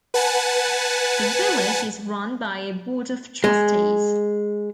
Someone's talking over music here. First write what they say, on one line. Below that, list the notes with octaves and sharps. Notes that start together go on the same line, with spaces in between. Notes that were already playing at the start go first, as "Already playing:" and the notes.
The village is run by a Board of Trustees.
B4 F#5 G#5 A5
G#3